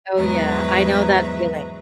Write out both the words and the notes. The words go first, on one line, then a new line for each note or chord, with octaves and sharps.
Oh, yeah, I know that feeling,
E2 G#2 F#3 B4 E5 A#5